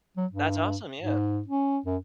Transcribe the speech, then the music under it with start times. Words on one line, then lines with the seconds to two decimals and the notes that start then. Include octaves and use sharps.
That's awesome, yeah.
0.17 F#3
0.32 G2
1.01 G#2
1.48 C#4
1.86 F#2